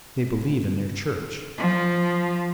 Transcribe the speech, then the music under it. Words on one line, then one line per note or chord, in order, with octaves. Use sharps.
They believe in their church.
F3